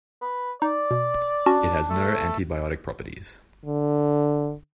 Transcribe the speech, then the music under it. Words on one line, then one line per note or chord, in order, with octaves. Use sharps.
It has no antibiotic properties.
B4
D#4 D5
B2
C#4 D4 F#4 A5
A3 A4
D3